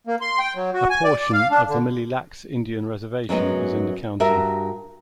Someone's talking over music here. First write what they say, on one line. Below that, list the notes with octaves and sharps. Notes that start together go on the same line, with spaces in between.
A portion of the Mille Lacs Indian Reservation is in the county.
A#3
C6
G5
F#3
F#4
G#5
D5
D5
F5
D4
D3
F#2 F#3 G#3 B3
G2 F#4 A#4 E5